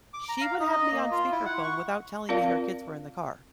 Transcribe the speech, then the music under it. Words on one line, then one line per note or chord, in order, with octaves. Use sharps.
she would have me on speakerphone without telling me her kids were in the car.
D6
A#5
F5
D#4
D#5
A#3
F4
E4
F#5
C#6
C4 F4 A#4 D5 F5